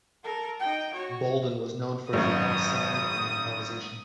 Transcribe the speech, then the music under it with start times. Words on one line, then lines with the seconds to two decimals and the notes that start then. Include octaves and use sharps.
Bolden was known for his loud sound and improvisation.
0.24 A4 A#4
0.59 D#4 G5
0.93 F#4 C#5
2.13 G#1 F#2 D#6